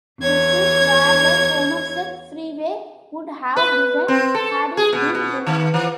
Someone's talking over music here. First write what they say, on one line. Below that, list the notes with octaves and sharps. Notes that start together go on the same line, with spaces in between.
This is where the Somerset Freeway would have begun had it been built.
E2 C#5 G#6
B4
C4
A4
G#4
B2
B2
D#3
E3